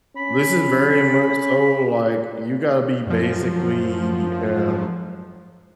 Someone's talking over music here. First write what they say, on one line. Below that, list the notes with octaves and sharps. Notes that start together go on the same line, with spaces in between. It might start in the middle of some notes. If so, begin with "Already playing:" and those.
this is very much so, like, you gotta be basically, um
C#4 B5
F#2 F3